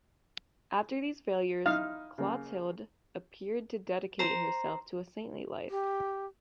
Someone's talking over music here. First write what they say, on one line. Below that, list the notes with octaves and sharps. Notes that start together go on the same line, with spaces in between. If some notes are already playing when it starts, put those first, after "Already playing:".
After these failures, Clotilde appeared to dedicate herself to a saintly life.
D#4 E4 D#5 F5
C#3 A#3
C5 A#5
G4